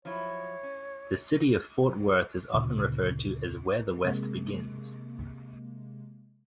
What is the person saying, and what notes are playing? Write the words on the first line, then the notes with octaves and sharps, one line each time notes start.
The city of Fort Worth is often referred to as Where the West Begins.
F3 F#3 E4 C#5
C#4
D2 A#2 C#3
C3 G#3 A#3